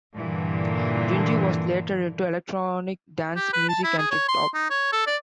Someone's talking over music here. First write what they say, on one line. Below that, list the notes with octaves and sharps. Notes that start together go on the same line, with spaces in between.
Junji was later into Electronic dance music and Trip hop.
G2 A#2 D3 E3
G4
B4
A5
E4
G#4
C#5
C6
D#4
C#5
A4
D5